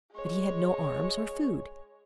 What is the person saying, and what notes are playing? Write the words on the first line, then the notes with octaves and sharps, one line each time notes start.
But he had no arms or food.
G#3 C#5